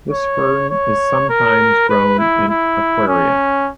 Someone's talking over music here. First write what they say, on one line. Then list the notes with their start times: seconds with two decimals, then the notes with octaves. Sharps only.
This fern is sometimes grown in aquaria.
0.11 C#5
0.70 C#5
1.30 A#4
1.89 B4
2.18 E4
2.49 E4
3.08 C#4